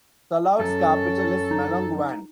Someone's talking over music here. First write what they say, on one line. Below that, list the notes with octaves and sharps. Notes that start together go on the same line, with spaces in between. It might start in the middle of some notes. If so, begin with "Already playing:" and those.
Talaud's capital is Melonguane.
F#2 C#4 A4
D#4